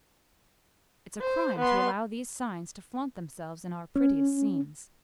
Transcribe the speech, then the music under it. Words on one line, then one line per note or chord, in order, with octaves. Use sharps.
It's a crime to allow these signs to flaunt themselves in our prettiest scenes.
C5
B3 C6
C#4